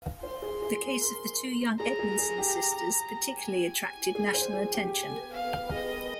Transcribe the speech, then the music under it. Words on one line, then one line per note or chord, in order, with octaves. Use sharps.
The case of the two young Edmonson sisters particularly attracted national attention.
C5 C6
G#4
G#4
G#4
A#4
G#4 A#5
G#4
G#4
G4
G#5
G#4
C5
G#4
G4
G#5
F5
G#4 D#5
A#4